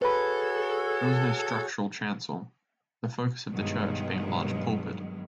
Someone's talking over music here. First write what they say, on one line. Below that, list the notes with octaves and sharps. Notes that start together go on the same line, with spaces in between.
There was no structural chancel, the focus of the church being a large pulpit.
F#4 G#4 A4 B4 C#5 B5
G2 B2 D#3 F#3 G#3